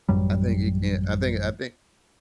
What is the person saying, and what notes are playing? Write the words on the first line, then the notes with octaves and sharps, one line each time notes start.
I think it can I think I think,
A1 F#2 F#3 G3